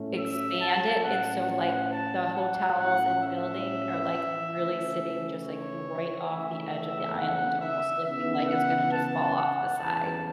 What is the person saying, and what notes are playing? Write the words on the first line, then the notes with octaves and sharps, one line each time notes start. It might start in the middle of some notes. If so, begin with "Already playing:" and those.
expand it, and so, like, the hotels and buildings are, like, really sitting just, like, right off the edge of the island, almost looking like it's gonna just fall off the side.
Already playing: A2 A3 C#4
E5
A5
A2 A3 C#4 F#5
F#5
A5
F#5
A2 A3 C#4 F#5
E5
C#3 E3 A3
C#5
C#3 E3 A3 E5
F#5
E5
C#3 E3 B3 E5
F#5
A5
F#5
E2 C#3 E3 A5